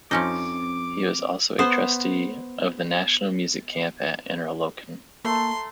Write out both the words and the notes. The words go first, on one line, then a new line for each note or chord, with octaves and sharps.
He was also a trustee of the National Music Camp at Interlochen.
F2 F3 C4 C#4 D#4 D6
B3 C5
A3 A#3 A#5 C6